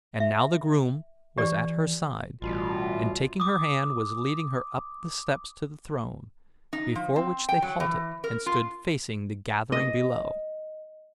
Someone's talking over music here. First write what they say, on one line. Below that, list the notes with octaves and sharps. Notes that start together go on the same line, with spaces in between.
And now the groom was at her side and taking her hand was leading her up the steps to the throne, before which they halted and stood facing the gathering below.
E5
E3 G4 D5
A1 B2 G3 F4
D6 D#6
D#4
F3
C4
G5
F#3
E3
A#4
F4
D#5